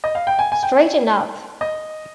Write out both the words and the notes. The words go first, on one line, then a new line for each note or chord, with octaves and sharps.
Straighten Up!
D#5
F5
G5
G#5
G#5
G5
D#5